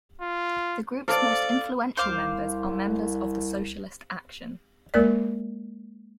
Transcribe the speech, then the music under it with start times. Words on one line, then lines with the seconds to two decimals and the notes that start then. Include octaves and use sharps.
The group's most influential members are members of Socialist Action.
0.21 F4
1.08 A4 C5 D5 F5 D6 D7
1.97 C2 C5 F5 D6
4.94 G#3 A#3 A#4 D5